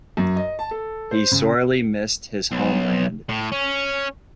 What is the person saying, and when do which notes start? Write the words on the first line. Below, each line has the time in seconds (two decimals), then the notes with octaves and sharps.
He sorely missed his homeland.
0.17 F#2
0.36 D#5
0.59 A5
0.71 A4
1.11 C5
1.32 C#3
2.52 B1
3.29 A2
3.52 C#4